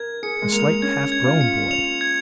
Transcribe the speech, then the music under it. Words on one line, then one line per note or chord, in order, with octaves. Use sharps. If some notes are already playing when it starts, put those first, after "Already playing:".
A slight, half grown boy.
Already playing: A#4 G#6
G#4 C#7
G#3
A#3 F7
C#4 G#6
G#6
F4
C#7
F7
G#6